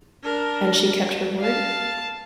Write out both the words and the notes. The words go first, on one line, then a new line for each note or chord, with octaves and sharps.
And she kept her word?
D4 A#4
F5 A5